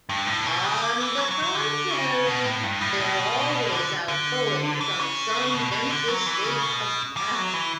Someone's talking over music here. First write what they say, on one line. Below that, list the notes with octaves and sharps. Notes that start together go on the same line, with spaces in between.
On the contrary, they are always outgoing from some denser state of matter.
G2
A2
B2
C#3
D3
E3
F#3
F#3
F#3
D3
C#3
B2
A2
G2
A2
B2
D3
D3
E3
C#3
B2
B2
D3
F#3
E3
C#3
B2
G3
F#3
E3